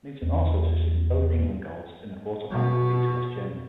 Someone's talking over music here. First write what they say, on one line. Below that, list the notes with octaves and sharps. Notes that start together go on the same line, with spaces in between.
Newton also assisted in both England goals in the Quarter-Final defeat to West Germany.
E2
B2